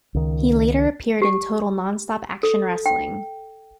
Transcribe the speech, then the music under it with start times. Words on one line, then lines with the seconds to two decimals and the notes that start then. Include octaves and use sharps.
He later appeared in Total Nonstop Action Wrestling.
0.14 C#2 D#3
1.22 G4
2.43 A4
2.86 G5